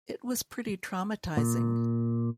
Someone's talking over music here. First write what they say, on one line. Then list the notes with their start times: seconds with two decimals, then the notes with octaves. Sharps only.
It was pretty traumatizing.
1.37 A#2